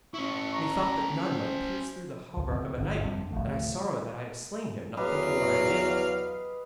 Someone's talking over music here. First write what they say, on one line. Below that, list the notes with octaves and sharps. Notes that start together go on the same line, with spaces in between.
'Methought that none might pierce through the hauberk of a knight, and I sorrow that I have slain him, not thinking what I did.'
C#4 E4 C#6
A#5
C5
C#2
C#2 C4
G1
F2 G3 C4 D4
D1 B1 F3 A3
E2 F#3 G4 B4 D#5 F5